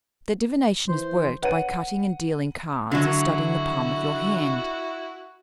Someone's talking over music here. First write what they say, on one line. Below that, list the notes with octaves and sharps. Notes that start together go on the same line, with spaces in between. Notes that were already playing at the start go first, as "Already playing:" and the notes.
Their divination is worked by cutting and dealing cards or studying the palm of your hand.
E3 C5
B4 C#5 F#5 D#7
D3 F#3 E4 F#4